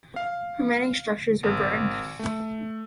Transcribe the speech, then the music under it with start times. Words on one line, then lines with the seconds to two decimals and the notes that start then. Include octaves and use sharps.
Remaining structures were burned.
0.16 F5
1.43 G#1
2.19 A3